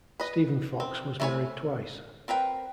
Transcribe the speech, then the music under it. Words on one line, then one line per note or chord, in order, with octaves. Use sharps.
Stephen Fox was married twice.
B4 D#5
C4
A3 A#3 E4 C#5 G#5
C4 A#4 B4 G5